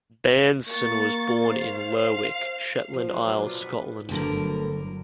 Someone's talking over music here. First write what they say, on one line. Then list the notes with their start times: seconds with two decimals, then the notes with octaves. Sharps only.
Bairnson was born in Lerwick, Shetland Isles, Scotland.
0.68 A#3 C#6 A6
1.48 C5 F5
2.94 F3
3.09 F#3 G#3 A#3
3.26 B2 D4 F5
3.45 B3 F4
3.61 B4 F#5
4.09 G1 D2 D3 F#3 A#4